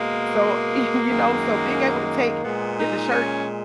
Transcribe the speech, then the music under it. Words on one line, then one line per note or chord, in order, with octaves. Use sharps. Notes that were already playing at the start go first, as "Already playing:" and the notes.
So, y you know, so being able to take did the shirt
Already playing: B2 G#3 A#3
F#2 D#3 G#3
A#2 G#3 B3
D#4
C#4